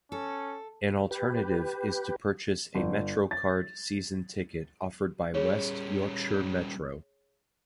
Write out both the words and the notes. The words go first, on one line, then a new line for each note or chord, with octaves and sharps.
An alternative is to purchase a 'MetroCard' season ticket offered by West Yorkshire Metro.
C#4 A4
G4 B4
G1
A6
G3 C#4 G#4 C#5